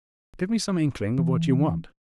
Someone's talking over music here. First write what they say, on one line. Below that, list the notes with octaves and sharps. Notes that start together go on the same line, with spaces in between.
Give me some inkling of what you want.
E3